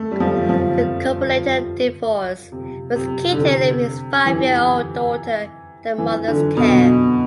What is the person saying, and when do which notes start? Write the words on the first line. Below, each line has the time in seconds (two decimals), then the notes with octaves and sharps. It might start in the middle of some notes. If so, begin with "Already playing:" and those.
The couple later divorced, with Keaton leaving his five-year-old daughter in her mother's care.
Already playing: A3
0.11 G3
0.20 F3
0.49 F3
2.52 C3
2.95 C3
3.32 D3
3.38 C3
4.26 E3
5.98 E3
6.28 D3
6.57 B2